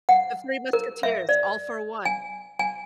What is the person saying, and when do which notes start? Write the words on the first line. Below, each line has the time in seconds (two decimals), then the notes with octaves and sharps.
The Three Musketeers: "All for one."
0.09 F#5
0.73 A#4
1.03 E5
1.29 D5
2.05 G#5
2.59 G#5